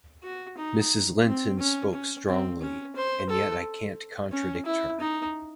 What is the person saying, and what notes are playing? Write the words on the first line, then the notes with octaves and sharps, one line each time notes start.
Mrs. Linton spoke strongly, and yet I can’t contradict her.
F#4
D#4
C4
C#4
C#4
C4
C#4
C5
A4
C#4
E4
D#4